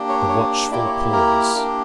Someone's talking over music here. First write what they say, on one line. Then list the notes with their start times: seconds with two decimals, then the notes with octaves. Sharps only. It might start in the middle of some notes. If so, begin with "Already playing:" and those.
A watchful pause.
Already playing: A#3 D4 G4
0.09 C#5
0.29 C#5
0.71 A#3 E4 G4 D5
0.85 C#5
1.13 A#4
1.55 A#3 D4 G4